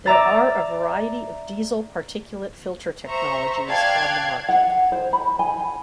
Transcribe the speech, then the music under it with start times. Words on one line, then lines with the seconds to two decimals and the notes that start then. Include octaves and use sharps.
There are a variety of diesel particulate filter technologies on the market.
0.06 D5 E5 A#5 A6
3.07 C5 E5 A#5 C#6
3.67 D5 F5 G5 A5 F#6 G#6
4.49 F#5
4.92 C5
5.13 B5
5.39 G#5